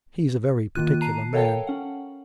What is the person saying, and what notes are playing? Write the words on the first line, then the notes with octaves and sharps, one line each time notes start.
He's a very particular man.
D#3 A#3 F4 F#6 D#7
A5 A#5 C7 D#7
A4 A#4 C#5 F5 G5 A5
C#4 F#5